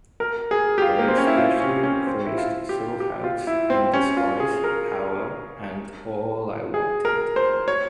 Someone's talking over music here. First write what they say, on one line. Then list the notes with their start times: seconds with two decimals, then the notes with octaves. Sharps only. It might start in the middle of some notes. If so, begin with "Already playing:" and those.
They especially praised "Silhouettes in Disguise," "Power", and "All I Wanted".
0.20 A#4
0.51 G#4
0.78 G4
0.82 F4
0.99 A#3
1.08 C4
1.18 C#4
1.27 E4
1.37 F4
1.60 C#4
1.83 C#4
2.07 C4
2.27 E4
2.38 F4
2.69 G4
3.00 G4
3.24 F4
3.47 E4
3.70 C4
3.93 C#4
4.17 F4
4.40 G#4
4.64 A#4
6.74 G#4
7.05 A#4
7.36 C5
7.68 C#5